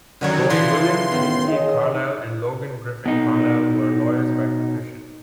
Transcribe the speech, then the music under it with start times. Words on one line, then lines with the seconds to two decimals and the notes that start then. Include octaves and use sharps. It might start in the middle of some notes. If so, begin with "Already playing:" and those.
Both William Kinkead Carlisle and Logan Griffin Carlisle were lawyers by profession.
0.21 F#2 D3 D#3 F#3 G3 C#5
0.50 C#3 E3 F3 C6
1.11 F#2 A2 D#3 B3
1.48 G#4 C#5 D#5
3.06 B2 D#4